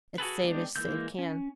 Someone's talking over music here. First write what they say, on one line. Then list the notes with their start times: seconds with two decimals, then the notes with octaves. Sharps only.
It's save as save can.
0.18 F#4 G#4 A4 B4
0.43 G#3 B3 C4 D4 G4
0.76 E3 G#3 A#3 E6 G6
1.19 C#4